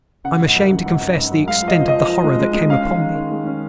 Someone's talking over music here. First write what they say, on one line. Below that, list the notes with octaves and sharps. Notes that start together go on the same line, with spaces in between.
I am ashamed to confess the extent of the horror that came upon me.
C#3 F#5
G#1
F#2
C#3
G#1
G#1
G#1
F#2
G#3 F5
F3
D#5
F3
D#5
F3
F3
G#3
G#3
G#3
C#4 F5
D#3
D#3
D#3
G#3
C#4